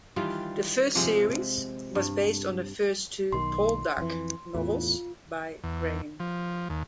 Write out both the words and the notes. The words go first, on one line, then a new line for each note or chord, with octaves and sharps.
The first series was based on the first two "Poldark" novels by Graham.
D#3 E3 G3 F4
C3 F3 G#3
G2
B1 D#3 C6
F2 E3
E2 A2 F4
E2
F3
D#2